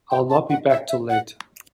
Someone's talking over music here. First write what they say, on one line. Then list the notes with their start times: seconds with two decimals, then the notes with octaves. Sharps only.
I'll not be back till late.
0.11 G5
0.30 A5
0.50 F#5
0.70 E5
0.89 E5
1.09 F#5